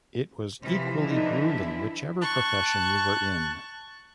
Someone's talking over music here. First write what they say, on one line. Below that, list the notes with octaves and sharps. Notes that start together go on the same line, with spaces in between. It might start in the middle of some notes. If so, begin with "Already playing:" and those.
It was equally gruelling whichever profession you were in.
C3 E3 F3
D3 D4 D#4
E4
A5 C#6 F#6